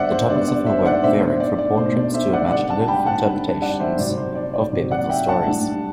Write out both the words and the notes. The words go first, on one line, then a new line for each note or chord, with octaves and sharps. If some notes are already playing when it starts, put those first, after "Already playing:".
The topics of her work varied from portraits to imaginative interpretations of biblical stories.
Already playing: D3 G3 B3 C5 D5 E5 F#5
C5
D3 G3 B3 D5
D5
C5 E5
D5 F#5
B2 A3 D4 C5 E5
C5
D5
D5
B2 A3 D4 C5
D5
C5 E5
D5 F#5
D3 G3 C4 D5 F#5
F#5 A5
G5 B5
F#5 A5
D3 G3 C4
D5 F#5
C5 E5
C3 F#3 C4 D5
C5
D5
D5
C3 F#3 C4
D5 F#5
E5 G5
F#5 A5
A2 G3 D4